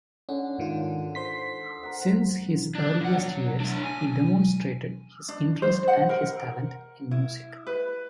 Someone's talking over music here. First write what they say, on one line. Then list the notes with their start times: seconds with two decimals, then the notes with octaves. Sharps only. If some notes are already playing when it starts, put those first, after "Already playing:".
Since his earliest years, he demonstrated his interest and his talent in music.
0.29 D3 C#4
0.58 G#2 D#3 F4
1.15 C5 C6 B6
1.83 A#4 F#5
2.75 D4
3.01 A#2 F#5
3.14 F#3
3.60 A2 D4
3.83 G#5
5.29 D4
5.62 C5
5.88 F#5
6.09 A#4
7.11 E4
7.67 B4